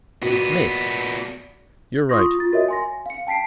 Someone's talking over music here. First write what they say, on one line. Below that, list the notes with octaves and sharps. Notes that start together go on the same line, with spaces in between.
ME: You're right.
A#2 B3 F#4
F4 C6 C#6 D#6 A#6
F4 A6
F#4 A#4 C#5 D#5 E5
G#5 C6 A#6
F5 C#7
G5 A5 B6 C7 D7